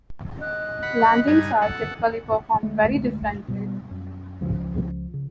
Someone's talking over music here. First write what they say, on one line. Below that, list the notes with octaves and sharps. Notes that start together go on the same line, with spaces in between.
Landings are typically performed very differently.
D#5 F#6
F#5 B5
G2 D#4 G#5
A4 F#5
D2 G#3 A3
B2 G3
F#2
C#2 C#3 F3
C#3